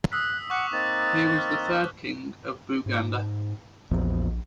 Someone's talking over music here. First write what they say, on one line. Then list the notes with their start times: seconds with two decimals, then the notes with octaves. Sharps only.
He was the third king of Buganda.
0.12 D#6 E6 F#6 B6
0.50 F#5 C#6 D6 F#6
0.72 A#3 C4 D#4 A6
1.38 F6
2.86 G#2
3.91 A#1 E2 A#2 F3